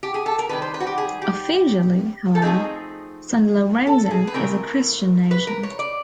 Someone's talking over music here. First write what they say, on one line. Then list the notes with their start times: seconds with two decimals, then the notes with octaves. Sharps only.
Officially, however, San Lorenzo is a Christian nation.
0.03 G4
0.14 G#4
0.26 A4
0.38 A#4
0.49 C3 D#3 G3 B4
0.62 C5
0.74 B4
0.80 F#4
0.87 G4
0.98 G#4
1.22 G4
2.35 A4
2.42 F3 A3 C4 D#4 G#4
3.87 A4
4.11 G#4
4.27 B4
4.34 C#3 E3 A3 C4 A#4
5.31 B4
5.47 A#4
5.63 C#5
5.79 D5